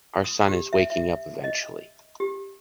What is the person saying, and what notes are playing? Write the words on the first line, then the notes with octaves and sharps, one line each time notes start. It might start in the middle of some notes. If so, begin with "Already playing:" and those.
Our son is waking up eventually.
D#6
G4
E5
E5
D#5
G4